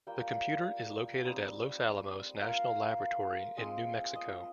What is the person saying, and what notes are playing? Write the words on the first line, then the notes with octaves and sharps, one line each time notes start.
The computer is located at Los Alamos National Laboratory in New Mexico.
G3 A#3 F4 G5
G3 C4 D#4
A#3 F4 F5
G#3 C4 F4
D#5